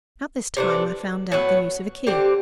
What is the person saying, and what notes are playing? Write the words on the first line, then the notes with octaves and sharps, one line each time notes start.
About this time I found out the use of a key.
C3 E3 A3 D4
A2 F#3 B3 F#4
D3 G3 C4 G4